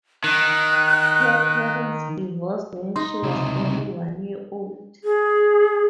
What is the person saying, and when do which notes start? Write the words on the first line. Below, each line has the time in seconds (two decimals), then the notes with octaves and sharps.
Her parents divorced when she was only one year old.
0.24 D#3 F#6
2.96 D#4 C6
3.23 C#2 C3
5.04 G#4